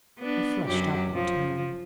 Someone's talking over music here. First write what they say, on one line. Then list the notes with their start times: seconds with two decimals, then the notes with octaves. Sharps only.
I flushed up in turn.
0.19 B3 D4
0.67 F#2 F#3 G4
1.14 F3